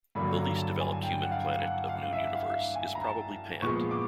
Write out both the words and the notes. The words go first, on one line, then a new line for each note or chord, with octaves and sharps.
The least developed human planet of Noon Universe is probably Pant.
G2 D3 F#3 A#3 B5
A#5
A5
G#5
G5
F#5
F5
F#5
F5
E5
F5
F5
E5
G#5
A#5
A5
A#2 F3 G#3 B3 C#6
D6